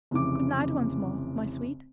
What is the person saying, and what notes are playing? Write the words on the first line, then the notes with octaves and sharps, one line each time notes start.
Good-night once more, my sweet.'
F1 C#3 E3 D6